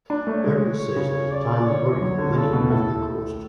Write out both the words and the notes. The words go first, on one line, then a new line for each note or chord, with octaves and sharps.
Hurricane season is a time of worry for many who live on the coast.
D4
A3 C#5
G#3
C#3
D5
D3 C#5
F#3
D3
C#3 A4
B2
A2 A4